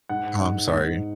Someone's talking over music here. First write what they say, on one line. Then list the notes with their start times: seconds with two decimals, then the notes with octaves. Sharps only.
Oh, I'm sorry.
0.09 G#2 F#5
0.41 G#2
0.72 G#2